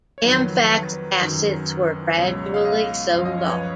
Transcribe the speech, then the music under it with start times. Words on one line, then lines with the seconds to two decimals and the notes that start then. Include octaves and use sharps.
Amfac's assets were gradually sold off.
0.18 C#5
0.24 F2 D#3 F#3 B4
1.21 F#2 D#3 F#3
2.17 C#2 B2 F#3 C#5
2.54 F5
2.65 D#5
3.13 F#2 F5
3.18 F3
3.26 D#5
3.38 C#5
3.44 B4
3.50 C#5